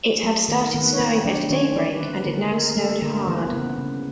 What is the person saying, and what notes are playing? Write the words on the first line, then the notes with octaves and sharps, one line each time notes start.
It had started snowing at daybreak, and it now snowed hard.
G#4
F#3 A3 A4
D#3 A#3 A#4
D#3 B3 B4
C#5
A#3 C4 C5
F#3 D4 D5
D#3 C#4 C#5
G3 D4 D5
B4
D3 C4 C5
B4
D3 A#3 A#4
A#3 A#4
G3 A3 A4
D3 A#3 A#4
E3 B4
C5
B3 B4
C#3
C#3